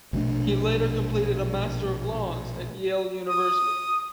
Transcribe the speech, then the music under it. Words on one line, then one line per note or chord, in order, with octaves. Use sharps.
He later completed a Master of Laws at Yale University.
A#1 B2 A3 D4
D#6